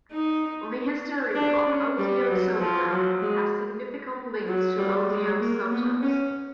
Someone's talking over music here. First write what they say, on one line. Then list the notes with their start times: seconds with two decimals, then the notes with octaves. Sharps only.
The history of Osio Sopra has significant links to Osio Sotto's.
0.12 D#4
1.35 D4
1.66 C#4
1.98 G3
2.30 F#3
2.60 F3
2.91 F#3
3.22 G#3
4.48 F#3
4.78 G3
5.09 G#3
5.40 A#3
5.71 B3
6.02 C#4